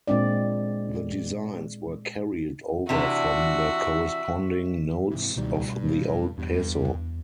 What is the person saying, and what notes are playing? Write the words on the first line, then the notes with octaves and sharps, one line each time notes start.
The designs were carried over from the corresponding notes of the old peso.
A#2 G#3 C4 D4 D5
C3 E3 D4 F#4 E5
G#2 C3 E3
C#2 B2 D#3 G3
G2
E2 G2